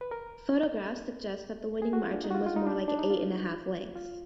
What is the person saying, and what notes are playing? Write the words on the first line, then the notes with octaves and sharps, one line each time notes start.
Photographs suggest that the winning margin was more like eight and a half lengths.
B4
A#4
G#4
F#4
F4
D4
D#4
F#4
F4
F4
D#4
D4
D#4
D4
D#4
F4
F4